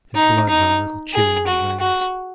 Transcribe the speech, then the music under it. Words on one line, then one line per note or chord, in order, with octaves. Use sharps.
His blood ran a little chilly in his veins.
D#4
D#4
G#4
F#4
F#4